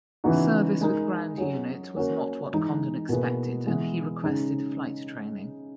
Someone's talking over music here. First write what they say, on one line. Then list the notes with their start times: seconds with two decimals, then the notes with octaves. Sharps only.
Service with ground unit was not what Condon expected and he requested flight training.
0.24 C#3 E3 B3 D#4 F#4
0.81 G#3 D#4 A#4
1.38 F#3 C#4 G#4
1.95 A#3 C#4 F#4 A#4
2.53 E3 G#3 D#4
3.09 B2 A#3 E4 G#4 B4
3.66 E3 G#3 B3
4.23 C#3 G#3 D#4 G#4